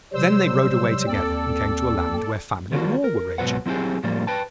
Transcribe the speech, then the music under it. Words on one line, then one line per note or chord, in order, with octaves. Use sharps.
Then they rode away together, and came to a land where famine and war were raging.
C3 F#3 G3 C5 E6
D#2 C4 A4 D5 E6
D#3 G3 A#3 F4 F#4
A#4
G#2 B2 F3 F#3 B4 F#5
F#3 C4 E4 G4 G#4
A2 F3 G3 A#3
B4 G5 A5